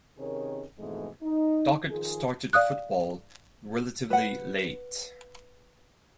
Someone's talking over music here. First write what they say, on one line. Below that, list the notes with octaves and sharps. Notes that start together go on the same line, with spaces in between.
Dockett started football relatively late.
C3 D#3 C#4 G#4 A#4 C#5
F2 G#2 B2 E3 G#3 A3
D#4
D#3 F3 F4 G#4
D5 F5 D#6 F#6
B4 F#5